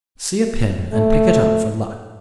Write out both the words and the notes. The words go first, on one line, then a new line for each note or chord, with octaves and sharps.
See a pin and pick it up for luck.
A3